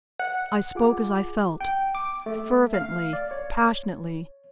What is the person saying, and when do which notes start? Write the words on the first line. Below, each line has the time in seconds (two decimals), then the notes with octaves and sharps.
I spoke as I felt--fervently, passionately.
0.19 F#5
0.75 F4 G#4 F#5 D6
1.60 G5
1.95 D6
2.26 A3
2.74 F5
3.13 D5
3.31 C#5